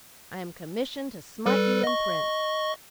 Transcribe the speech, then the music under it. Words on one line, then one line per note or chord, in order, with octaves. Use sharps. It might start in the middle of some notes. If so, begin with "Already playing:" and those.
I am commissioned to smite you in print.
G3 A4 B4
D#5 C#6